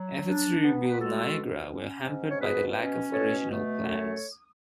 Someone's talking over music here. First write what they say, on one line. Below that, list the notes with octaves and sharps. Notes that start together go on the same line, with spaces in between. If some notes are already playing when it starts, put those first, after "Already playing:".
Efforts to rebuild "Niagara" were hampered by the lack of original plans.
Already playing: F#3
D4
B3
B4
G#3 F#4 A4
B2
C#4
G#2
C#5
B2 G#4 B4
C#4
B2 A4 C#5
A3
F#2 A4 C#5